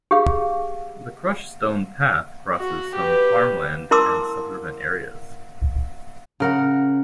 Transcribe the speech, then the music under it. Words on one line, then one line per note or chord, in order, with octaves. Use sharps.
The crushed stone path crosses some farmland and suburban areas.
G4 G#4 F5
F#4
G4 B4
E4 A#4 A5 C6 D6 E6
C#3 A#4 F#5